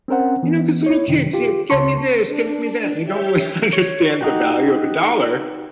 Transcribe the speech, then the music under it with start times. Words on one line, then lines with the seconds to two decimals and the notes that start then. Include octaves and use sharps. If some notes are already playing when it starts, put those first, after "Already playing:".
you know, 'cause little kids, yeah, get me this get me that, and they don't really understand the value of a dollar,
0.08 C4 C#4 A#4 C5 F#5
0.43 E3 B3
0.86 E4 C#5
1.08 F#2 C3 D#3
1.33 F4 G4
1.70 C#2 C#3 C#5 A5 C6 C#6
2.27 D4
3.02 G4 C#5 E5 G5
3.73 C#5
4.21 D#4 F#4 G4